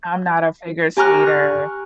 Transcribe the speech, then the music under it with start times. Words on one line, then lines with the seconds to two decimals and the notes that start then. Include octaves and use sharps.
I'm not a figure skater.
0.97 G4 G#5 A#5 C#6 F6 F#6